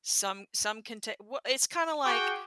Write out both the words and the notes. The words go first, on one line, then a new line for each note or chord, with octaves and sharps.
some some can ta well, it's kinda like,
F#4 G#4 G5 D6